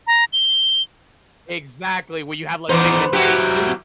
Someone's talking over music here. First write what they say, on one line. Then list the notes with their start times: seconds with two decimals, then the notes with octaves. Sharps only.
Exactly, where you have less pigmentation
0.07 A#5
0.33 G7
2.69 E2 B3 D#4 C5 D5
3.13 F#3 E4 F#4 G4